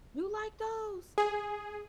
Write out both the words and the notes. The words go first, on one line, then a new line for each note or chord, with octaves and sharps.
You like those?
G#4